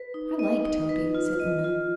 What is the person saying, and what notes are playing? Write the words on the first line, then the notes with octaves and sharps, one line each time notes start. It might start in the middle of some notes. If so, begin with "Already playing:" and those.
'I like Toby,' said Una.
Already playing: B4
D#4
D#5
D#4
B4
F4
D#5
F4